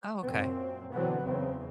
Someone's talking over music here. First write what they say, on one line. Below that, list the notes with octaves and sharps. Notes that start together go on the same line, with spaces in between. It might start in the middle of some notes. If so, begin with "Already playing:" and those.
Oh, okay.
F#2 A#2 C4
B2 D3 E3 F#3 B3 C4
F#1 E2 C#3 C4